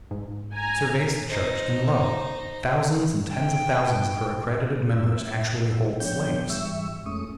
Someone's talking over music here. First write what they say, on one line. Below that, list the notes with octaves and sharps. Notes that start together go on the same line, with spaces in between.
He surveys the church, and, lo! thousands and tens of thousands of her accredited members actually hold slaves.
G#2
G#5 A#5
D#4 C5
G5
F#2 E6
E5
F3 B3 D4 C#5 G5 G6
G#2 E3 G3 E5 C#6 E6
F2 G#3 A3 C#4 C#6 D#6